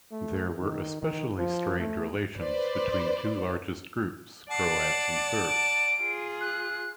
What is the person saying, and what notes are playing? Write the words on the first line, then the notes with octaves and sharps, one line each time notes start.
There were especially strained relations between two largest groups, Croats and Serbs.
A3
D#3
D#3
F3
A3
B4 C5 D5
D5 F#5 A5 C7
D7
F4 G#4
F#6